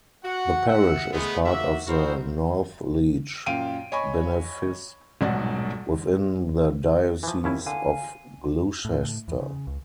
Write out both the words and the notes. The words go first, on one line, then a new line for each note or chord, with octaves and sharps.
The parish is part of the Northleach benefice within the Diocese of Gloucester.
F#4 F#5
E5 F#5
G#3 A3 B3
G#2 A#3 F#4 E5
E4 F#4 A#4 C5
F#2 A#2 F5 G5 D7 D#7
C#5 D#5 G#5 B5 C#6
D#1 B1 G#2 F#4 D5 F#5
E3 F3
D#2 C#4 E4
D3 F5 G#5
A2
E2
C#3
C#2